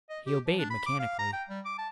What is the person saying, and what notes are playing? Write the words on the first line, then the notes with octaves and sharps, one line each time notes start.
He obeyed mechanically.
D#5
G4
F3
D4
B5
D6
F5
A#5
G5
G3
D6
A5